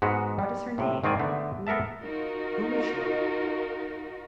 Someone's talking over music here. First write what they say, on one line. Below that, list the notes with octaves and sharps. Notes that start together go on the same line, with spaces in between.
"What is her name?--who--who is she?"
G#2 G#3 B3 F#4
G3
A2 C3
G#2 D#3 C4 D5 G#5
D3 A3 B3
B3 A4 A#4 E5 A5
D#4 F4 F#4 A#4